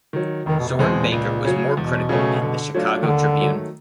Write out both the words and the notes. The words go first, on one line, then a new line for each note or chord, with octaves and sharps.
Soren Baker was more critical in the "Chicago Tribune".
D#3 F#3
F1 D#3
B2
C3
E2 B2 G#3 C4
A#2
C#2
C#3 F#3
E2 B2
C#3 F#3 A3 C#4
D3
F#3 A3 D4 F4
D#3
D#2 D3
D#3 F#3 A3